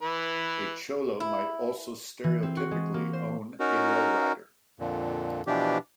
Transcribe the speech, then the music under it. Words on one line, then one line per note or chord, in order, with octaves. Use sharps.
A cholo might also stereotypically own a lowrider.
E3 B4
E4
E3
C4
F#4
G#3
A#3
C5
C#4 D#4 F#4 A#4
F2 A#2 D3
B2 E3 F3 D4 G4